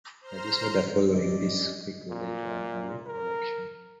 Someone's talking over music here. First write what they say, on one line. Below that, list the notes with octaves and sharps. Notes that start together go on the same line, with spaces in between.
The disorder following this quickly led to an early election.
C5 A#5 C6 F6
C#4 D5 D#5
A#2
A#4